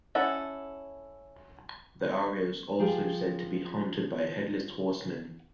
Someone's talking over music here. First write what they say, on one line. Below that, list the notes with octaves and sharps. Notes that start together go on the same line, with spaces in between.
The area is also said to be haunted by a headless horseman.
C#4 E4 A4 F#5
F3 G4 G#4